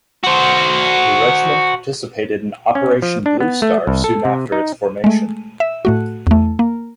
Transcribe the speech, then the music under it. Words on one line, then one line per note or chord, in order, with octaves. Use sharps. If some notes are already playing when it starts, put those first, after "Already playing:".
The regiment participated in Operation Bluestar soon after its formation.
F#4 C5
C#4
F3
D4
B3
A3
C2
A4
C3
D#4
G#3 A3
E5
A2 A3 F#4
E2 A3
A#3